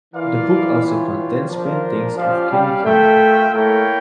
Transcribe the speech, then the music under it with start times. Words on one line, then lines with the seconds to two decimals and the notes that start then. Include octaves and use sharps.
The book also contains paintings of Ghani Khan.
0.14 E3 F4 A#4 D5 F5
0.81 G3 D4 F4 C#5
1.49 F3 D4 F4 A#4
2.17 F3 C#4 G4 D5 F5
2.51 G3
2.84 A3 F4 A#4 E5 G5
3.52 A3 A#3 E4 A#4 C#5 G5